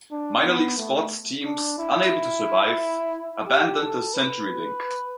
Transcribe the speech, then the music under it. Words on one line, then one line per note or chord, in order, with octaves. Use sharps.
Minor league sports teams, unable to survive, abandoned the CenturyLink.
D4
B3
A3
D4
E4
G4
A4
B4